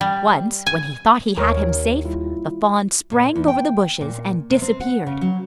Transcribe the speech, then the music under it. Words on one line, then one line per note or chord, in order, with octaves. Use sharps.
Once, when he thought he had him safe, the fawn sprang over the bushes and disappeared.
G3
G#5
D#2 A#4 C#5
G3 E4 F4
A#2
E2
G5
A#2
C3
C4
F#5
C#3
F#3